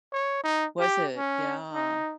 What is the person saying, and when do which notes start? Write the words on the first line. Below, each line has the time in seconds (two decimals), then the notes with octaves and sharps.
Was it, yeah,
0.13 C#5
0.44 D#4
0.80 G4
1.17 C#4
1.74 D#4